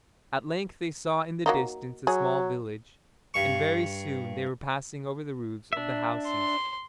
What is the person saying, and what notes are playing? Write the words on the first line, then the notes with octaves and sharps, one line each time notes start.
At length they saw in the distance a small village, and very soon they were passing over the roofs of the houses.
F#3 A#3 D#4
F#3 G#4
G2 C#6
D4 E5
C6